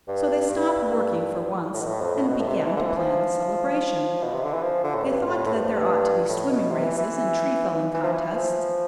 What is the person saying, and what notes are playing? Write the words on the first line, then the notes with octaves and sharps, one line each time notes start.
So they stopped working, for once, and began to plan the celebration. They thought that there ought to be swimming races and tree-felling contests.
G2
G2
A2
B2
A2
F2
A2
B2
A2
C3
B2
E3
D3
F3
E3
F3
B2
C3
D3
E3
F3
D3
A2
G2
G2
A2
A2
G2
F2
G2
A2
B2
C3
E3
E3
E3
F3
E3
F3